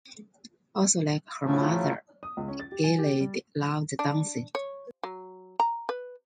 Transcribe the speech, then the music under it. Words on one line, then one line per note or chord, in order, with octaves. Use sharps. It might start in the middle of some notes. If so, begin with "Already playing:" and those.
Also like her mother, Gelede loved dancing.
A2 C#3 F3 F#3 A3
D#6
C#2
C#4
A6
G4
G#5
G4
G3
D4
C#5
F#3
A#5
B4